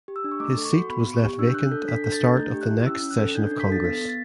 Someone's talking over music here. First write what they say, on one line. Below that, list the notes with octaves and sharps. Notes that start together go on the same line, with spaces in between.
His seat was left vacant at the start of the next session of Congress.
G4
E6
D4
C#6
A3 D6
A4
C#6
F#4
B3 B5
B3
C#6
G4
D4 E6
G6
D4 F#6
A4 G6
D4 B6
A4 G6
A6
D4
A3 G6
G4
F#6
E4
C#4 E6
C#4
F#6
A4
D4 G6
G6
D4
B6
A4 A6
B3 B6
B3
A6